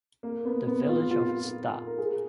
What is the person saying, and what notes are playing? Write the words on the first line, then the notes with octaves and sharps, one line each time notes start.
The village of Sta.
A#3
B3
B3
F4
F4
A#4
G#4